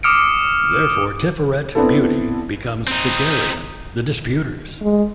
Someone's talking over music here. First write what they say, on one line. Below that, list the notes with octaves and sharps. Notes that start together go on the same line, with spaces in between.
Therefore Tiferet, beauty, becomes Thagirion, the disputers.
D6 D#6 F6 C#7 D7
B3 C4 D4 E4 A4
C4 D#4
G#3